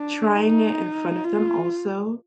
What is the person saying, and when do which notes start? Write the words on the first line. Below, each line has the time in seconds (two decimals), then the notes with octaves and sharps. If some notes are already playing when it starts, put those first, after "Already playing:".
Trying it in front of them also.
Already playing: D4
0.36 D#4
1.24 F4